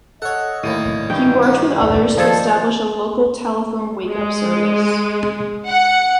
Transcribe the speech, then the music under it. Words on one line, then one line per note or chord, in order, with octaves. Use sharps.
He worked with others to establish a local telephone wake-up service.
A4 C#5 D#5 F#5
D#2 A2 G3 A#3 D#7
G2 D#3 E3 G5
B2 B3
D5
D#3 F3 G#4 A4 C5 A5 G#6
G#3
F#5